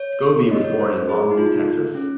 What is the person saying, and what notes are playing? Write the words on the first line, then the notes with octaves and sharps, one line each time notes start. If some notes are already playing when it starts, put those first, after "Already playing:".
Scobee was born in Longview, Texas.
Already playing: C#5
D#5
C#5
C5
G#4
D#4
F4
C#4